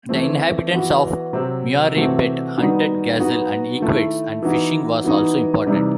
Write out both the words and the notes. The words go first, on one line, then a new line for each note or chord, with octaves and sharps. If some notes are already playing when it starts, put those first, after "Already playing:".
The inhabitants of Mureybet hunted gazelle and equids and fishing was also important.
E3 A3 C4
E3 B3 F#4
C3 F#3 C4
C3 E3 A3 C4 F#4
D#3 G3 B3 D#4 F#4
F#3 B3 D#4 F#4
D#3 A3 E4
E3 B3 D#4 F#4
E3 B3 D#4 F#4
C3 E3 G3 D#4